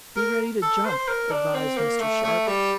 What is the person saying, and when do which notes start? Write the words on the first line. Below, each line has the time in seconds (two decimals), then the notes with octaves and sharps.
"Be ready to jump," advised Mr. Sharp.
0.16 A#4
0.62 A4
0.85 C5
1.08 A#4
1.31 D4
1.54 C4
1.77 A#3
2.00 A3
2.23 A3
2.47 G3